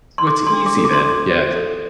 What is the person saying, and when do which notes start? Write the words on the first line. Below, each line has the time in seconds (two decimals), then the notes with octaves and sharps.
so it's easy then. Yeah.
0.18 C6
0.27 A4 D6
0.47 C6
0.52 D4
0.66 D6
0.78 A4
0.85 D6
0.93 C6
1.00 D6
1.05 A4
1.31 C5
1.56 A4